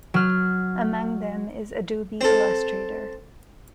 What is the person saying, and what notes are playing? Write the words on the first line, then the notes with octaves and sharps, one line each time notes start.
Among them is Adobe Illustrator.
F#3 F6
C4 A4